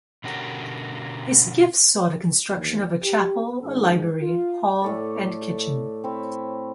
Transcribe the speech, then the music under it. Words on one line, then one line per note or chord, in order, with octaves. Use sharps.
His gifts saw the construction of a chapel, a library, hall and kitchen.
B2 D3 C#4 F#4 G4 A#4
D#2 E3
G4
G#2 D#3 G#3 C#4
F4
A2 A3 D5
C4 E4 C#5